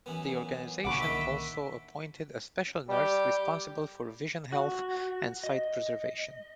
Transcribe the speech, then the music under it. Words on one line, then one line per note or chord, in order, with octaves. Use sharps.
The organization also appointed a special nurse responsible for vision health and sight preservation.
F#2 E3 B3
C2 F#2 A#2 D3 F#5 B5 C#6 D6
D#3 D#5 E5
G3 G4
F#4
D#5